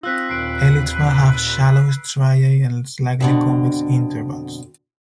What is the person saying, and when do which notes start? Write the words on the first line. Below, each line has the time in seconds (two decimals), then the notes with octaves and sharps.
Elytra have shallow striae and slightly convex intervals.
0.03 C4 D#4 F4 E6 F#6 B6
0.29 D#2 A#2 B4 C7 D7
3.21 F2 B2 D3